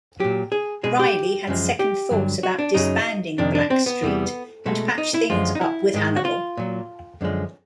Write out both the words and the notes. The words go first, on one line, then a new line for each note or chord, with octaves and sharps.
Riley had second thoughts about disbanding Blackstreet, and patched things up with Hannibal.
A#2 F#3 G4
G#4
B2 G#3 G#4
G4
F#2 C#3 F3 G#3
G4
G2 D3 F#3
F#4
D4
F#2 C#3 F#3 D#4
F2 C3 D#3 D4
D4
C4
B3
E2 C3 E3 G3
B2 G#3 A3
D#4
E4
F#2 D3 F3 G#3 F4
D#4
E4
G#2 D#3 G#3
F#4
F4
A#2 F#3
F#2 D3 F3 G#3